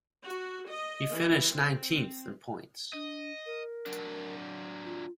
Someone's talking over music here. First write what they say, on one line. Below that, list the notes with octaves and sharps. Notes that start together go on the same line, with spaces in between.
He finished nineteenth in points.
F#4
D#5
E3
C4
D4 D#5
A#4
F#3 D4
F4